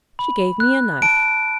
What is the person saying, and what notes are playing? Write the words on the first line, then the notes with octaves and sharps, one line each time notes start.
'She gave me a knife.'
B5
F#6
A5 D7